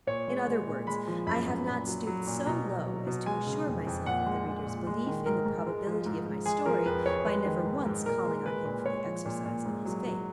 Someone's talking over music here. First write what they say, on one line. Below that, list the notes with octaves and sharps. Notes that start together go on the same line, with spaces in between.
In other words, I have not stooped so low as to assure myself of the reader's belief in the probability of my story, by never once calling on him for the exercise of his faith.
A#2 C#5
G#3
G#3
A#2
G#3 B5
F3
F#2 B5
F#2
A#2 B5
F#3
F#3
A#2
B2 A#5
F#3
F#3
B2
G#3 G#5
C#3
F2
F2
A#2 F#5
G#3
G#3
A#2
G#3
D#3
G#2 A#4
G#2
G#3
F3
G#2
G#2
G#3 G#4
F3 A#4
F2 B4
F2 C#5
G#3 B4
D#3
G#2
G#2
A#2 A#4
G#3
G#3 B4
A#2
G#3 C#5
F3
A#2
A#2
G#2
F#3
F#3